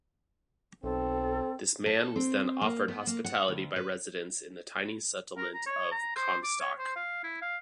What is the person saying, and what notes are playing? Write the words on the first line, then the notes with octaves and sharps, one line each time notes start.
This man was then offered hospitality by residents in the tiny settlement of Comstock.
B1 C4 A4
A4
C4
A#3
B3
A#3
F#5
D2
B4
A#4
A#5
C#5
A#5
C5
D6
C#5
C5
F5
E4
F5